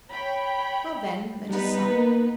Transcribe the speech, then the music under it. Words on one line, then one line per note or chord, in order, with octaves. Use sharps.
"Well, then, let us sup."
C#5 G5 B5
G3 B3 D#4 B4
A#3